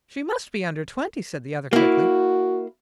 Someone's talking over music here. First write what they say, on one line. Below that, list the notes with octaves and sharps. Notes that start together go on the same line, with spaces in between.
"She must be under twenty," said the other, quickly.
A#3 E4 F#4